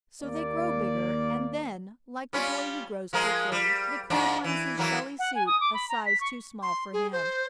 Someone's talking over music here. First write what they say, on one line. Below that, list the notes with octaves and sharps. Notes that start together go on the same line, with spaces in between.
So they grow bigger; and then, like the boy who grows quickly, the Crab finds his shelly suit a size too small for him!
D#2 A#3 D5
G3 C#4 F4
F3 G#3 A#4
G3
G#2 F3 D4
E3
E3 F#3 A#3
F#5
G#5
D#6
D6
B5
A#5
B6
C#6
C6
G#4
C5